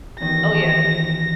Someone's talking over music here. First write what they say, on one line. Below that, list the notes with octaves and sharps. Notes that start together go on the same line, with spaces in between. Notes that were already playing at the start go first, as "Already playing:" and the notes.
Oh, yeah.
E2 D#3 A#6